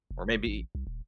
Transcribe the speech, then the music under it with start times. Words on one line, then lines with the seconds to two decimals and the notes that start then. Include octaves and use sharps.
Or maybe
0.11 F1
0.47 A1
0.75 C2
0.87 D#1